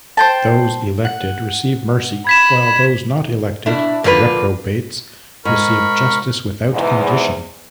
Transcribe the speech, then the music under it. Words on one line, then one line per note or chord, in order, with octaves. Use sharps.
Those elected receive mercy, while those not elected, the reprobates, receive justice without condition.
C5 G5 A5
F#5
B5 G#6 B6 E7
B2 D4 E4
D3 F3 A#3 F4 A4 B4
G#2 A#4 B5 C#6
E2 G#2